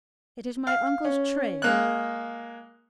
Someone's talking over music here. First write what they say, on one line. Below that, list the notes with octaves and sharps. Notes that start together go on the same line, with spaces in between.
"It is my uncle's trade."
F5
C#4
G#3 A#3 F#6